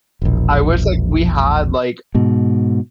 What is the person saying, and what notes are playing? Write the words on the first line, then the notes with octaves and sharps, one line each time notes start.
I wish, like, we had, like
E1 A#1
G#2 B2